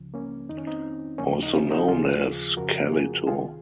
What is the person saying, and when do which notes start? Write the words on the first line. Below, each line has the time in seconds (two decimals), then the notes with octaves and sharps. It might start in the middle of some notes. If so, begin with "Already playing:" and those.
Also known as: Calito.
Already playing: C#2 C#3 F3
0.14 A#3 C#4
0.49 F2 D#3 D#4
0.58 C#4
0.67 C4 D#4
1.18 D#2 C#3 F3 A#3 C#4
1.43 D#4
1.53 C#4 F4
1.71 D#4 F#4
1.88 D#2 C#3 F3 F4 G#4
2.57 F2 C#3 F3 F#4 A#4
2.92 F4 G#4
3.26 C2 C3 D#3 F4 G#4